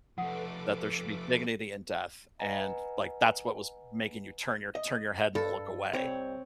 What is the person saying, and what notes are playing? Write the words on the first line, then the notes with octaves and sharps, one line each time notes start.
that there should be dignity in death, and, like, that's what was making you turn your turn your head and look away."
F3 A3 A4 B4 F#5 D6 D#6
B4 D#5 F#5 G#5 A#5
D#5
G2 A4
C2 C4 C#5